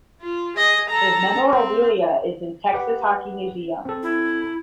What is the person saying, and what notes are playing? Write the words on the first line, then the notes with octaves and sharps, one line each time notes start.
His memorabilia is in Texas Hockey Museum.
F4
G#4 D#5
A4 A#5
C4
G4 B4 F#5
C4 A4
E4